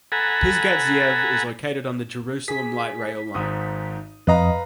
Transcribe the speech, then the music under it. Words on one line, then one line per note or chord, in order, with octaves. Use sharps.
Pisgat Ze'ev is located on the Jerusalem Light Rail line.
A4 F#5 G#5 A#5 B5
G#4 B6
G#1 G#2 D#6
F2 B4 D#5 F5 A#5